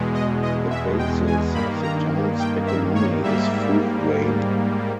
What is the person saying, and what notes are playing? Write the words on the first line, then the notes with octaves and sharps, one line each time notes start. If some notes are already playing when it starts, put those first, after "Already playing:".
The basis of the town's economy is food grain.
Already playing: E2 B2 G#3
D#5
D#5
E5
G5
G#5
G2 D#3 A#3 B5
A#5
G5
E5
C#5
G#2 G3 A#3 E5